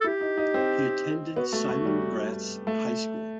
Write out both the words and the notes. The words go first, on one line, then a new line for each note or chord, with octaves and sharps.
He attended Simon Gratz High School.
A4
E4 G4
D#4
D#4
C4
B3 F#4
A3
A3
G3
A3